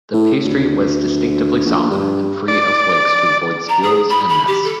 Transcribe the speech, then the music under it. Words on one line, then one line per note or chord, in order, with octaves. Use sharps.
The pastry was distinctively solid and free of flakes to avoid spills and mess.
A2
D2
A#1
G2
D5
A#5
G#4
B5
B5
G4
A4